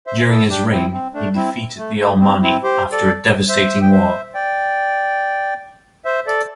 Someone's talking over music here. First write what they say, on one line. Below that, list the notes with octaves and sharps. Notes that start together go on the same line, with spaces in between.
During his reign, he defeated the Alamanni after a devastating war.
C5 E5
C5
E4 A4
D4 G4
C4 E4
C4
A3 D4
C4 E4
A3
A3
C4
C4 E4
G4 C5
A4 D5
C5 E5
G5
C5 E5
D5 G5
C5 E5
A4 D5